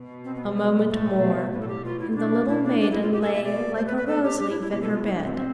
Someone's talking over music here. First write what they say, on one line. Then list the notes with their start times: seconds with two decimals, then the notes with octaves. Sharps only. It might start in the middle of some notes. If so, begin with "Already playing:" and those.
A moment more and the little maiden lay like a rose-leaf in her bed.
Already playing: B2
0.25 C4
0.35 B3
0.46 G3
0.88 A2 A3
1.21 B2
1.52 A2 B3
1.61 A4
1.68 G4
1.84 B2 F4
2.00 E4
2.11 E4
2.16 B2 D4
2.47 B2 E4
2.64 D4
2.80 D4
2.91 E4
3.02 F4
3.12 A2 G4
3.22 A4
3.33 E5
3.43 B2 D5
3.75 A2 C5
3.86 B4
3.97 B4
4.07 A4
4.23 G4
4.39 G4
4.50 E4
4.60 E4
4.71 B2 G4
4.82 A4
4.92 F4
5.03 B2 E4
5.14 D4
5.24 C4
5.35 C4